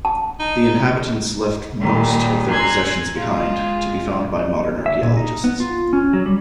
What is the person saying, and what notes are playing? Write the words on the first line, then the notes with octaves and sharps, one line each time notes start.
The inhabitants left most of their possessions behind, to be found by modern archaeologists.
A5
D#4
D#2 A#2 D#3 G3
G#5 A#5 C6 E6 F#6 G#6
G#3 F4
E5
A#2
D#4
B3
F4
C#4
F#3
G3